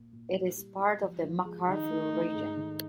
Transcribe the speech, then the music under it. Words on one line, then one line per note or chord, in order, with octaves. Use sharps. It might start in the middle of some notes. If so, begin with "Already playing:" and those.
It is part of the Macarthur region.
Already playing: A#2 A#3
A#2
G3
G3
G3
F3
F3
G#3
D#3 D#4
A3
A3
G#2
D#3